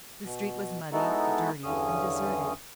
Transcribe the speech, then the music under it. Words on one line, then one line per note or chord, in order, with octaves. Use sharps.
The street was muddy, dirty, and deserted.
B2
G#3 B3 D#4 E4 F#4 A4
E2 G2 D3 C#4 D#6